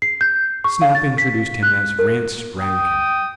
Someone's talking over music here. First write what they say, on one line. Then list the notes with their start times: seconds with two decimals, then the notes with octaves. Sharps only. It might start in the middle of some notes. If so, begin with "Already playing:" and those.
Snap introduced him as Rance Rankin.
0.02 C7
0.21 G6
0.64 C#6
0.82 F5
0.95 A6
1.18 B6
1.63 F#6
1.99 A#4
2.60 G5 D#6